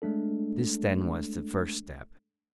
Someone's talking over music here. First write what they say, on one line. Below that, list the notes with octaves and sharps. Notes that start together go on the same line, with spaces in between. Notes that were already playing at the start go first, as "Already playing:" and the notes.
This then was the first step.
G#3 A3 D4 A4